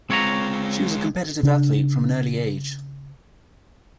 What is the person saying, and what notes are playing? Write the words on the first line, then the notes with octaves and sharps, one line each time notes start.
She was a competitive athlete from an early age.
G#3 C4 F4 C#5 A#5
C#3 D4